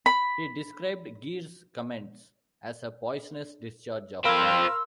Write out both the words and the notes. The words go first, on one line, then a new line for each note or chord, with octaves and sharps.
He described Greer's comments as "a poisonous discharge of bile".
B5
C4 F4 A#4 F5 B5 C6 E6